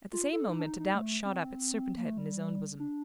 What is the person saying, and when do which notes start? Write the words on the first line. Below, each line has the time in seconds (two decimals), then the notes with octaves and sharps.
At the same moment a doubt shot up its serpent-head in his own bosom.
0.13 F4
0.33 A4
0.49 D#4
0.59 D4
0.64 D#4
0.80 D#4
0.95 A3
1.25 C4
1.97 A#3
2.07 A3
2.18 G3
2.79 D4